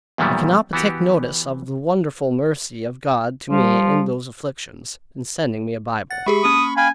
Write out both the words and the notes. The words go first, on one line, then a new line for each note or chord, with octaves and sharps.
I cannot but take notice of the wonderful mercy of God to me in those afflictions, in sending me a Bible.
E2 A#2 D#3 F#3 G3 B3
E3 B3 F#4 G4
F3 G3
F#5 A6
G#3 G4 G#4 B5 C#6
A#3 C#4 D#6
F5 G5 G#5 B5